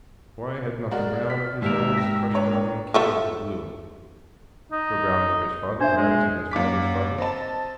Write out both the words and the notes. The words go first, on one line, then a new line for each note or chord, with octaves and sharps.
Why had not the brown of his eyes crushed out and killed the blue?--for brown were his father's eyes, and his father's father's.
G#3 F#4 A#4 D5
F6 B6
G#1 D#2 G#2 G4 A#4 E5
G5 A#6
D4 B4 C#5 A#5
F3 A3 E5
D#4
D4 C5 E5
G#3
F#2 A#3 D6 B6
C4 D#5 A5